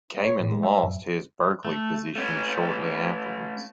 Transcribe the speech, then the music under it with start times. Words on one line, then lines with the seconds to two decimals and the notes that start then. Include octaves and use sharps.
Kamen lost his Berkeley position shortly afterwards.
0.25 C#5
0.40 A2
0.52 G#3
0.63 E5
0.83 F#2
1.65 A3
2.16 A3 C#4